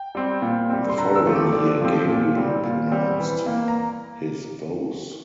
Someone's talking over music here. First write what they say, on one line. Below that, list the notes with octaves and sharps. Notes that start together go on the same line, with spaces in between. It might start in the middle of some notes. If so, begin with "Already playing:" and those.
The following year Gabriel pronounced his vows.
Already playing: G5
G3 C4
A#2
G3 C4
C6
D3 A#5
E6
F3 A3 C4
D6
D3 D6
F3 A3 C4
A#2
G3 C4
A#2
G3 C4
E3
A#3
A#5